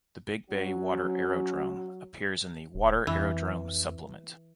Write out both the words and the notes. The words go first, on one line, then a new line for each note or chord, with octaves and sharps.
The Big Bay Water Aerodrome appears in the Water Aerodrome Supplement.
F#3 C#4 F#4
D#1
F2 E3